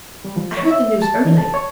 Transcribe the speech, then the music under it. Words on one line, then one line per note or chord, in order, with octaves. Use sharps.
'I heard the news early.
G3
F3
C#5
E5
A5
E3
A5
C#5